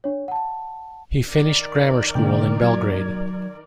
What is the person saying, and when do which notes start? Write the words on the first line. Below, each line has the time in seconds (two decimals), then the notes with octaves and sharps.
He finished grammar school in Belgrade.
0.04 D4 C#5
0.28 F#5 A5
1.29 D#3 A#4 D5
2.15 B2 D3 G#3 A#3 G5
2.62 F#3 G#6